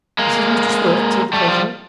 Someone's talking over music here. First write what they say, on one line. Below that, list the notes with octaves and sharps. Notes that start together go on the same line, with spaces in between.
"This is Mr. Swift," said the president.
G#3 A#3
G3 A3
F3 G3